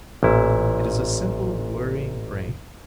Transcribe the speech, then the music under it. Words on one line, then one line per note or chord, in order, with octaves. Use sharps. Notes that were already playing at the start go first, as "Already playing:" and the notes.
It is a simple, worrying brain.
A1 A#2 E4